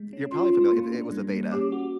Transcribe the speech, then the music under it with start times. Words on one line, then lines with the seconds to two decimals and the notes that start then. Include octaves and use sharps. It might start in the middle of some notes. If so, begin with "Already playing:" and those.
you're probably famil it was Aveda.
Already playing: G#3
0.13 C#4
0.32 C#4 F4
0.53 C#4
0.72 A#3
0.92 D4
1.12 G3
1.32 A#3
1.52 C#4 G4
1.72 F#4